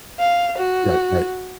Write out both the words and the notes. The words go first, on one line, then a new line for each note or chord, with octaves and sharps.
Right, right.
F5
F#4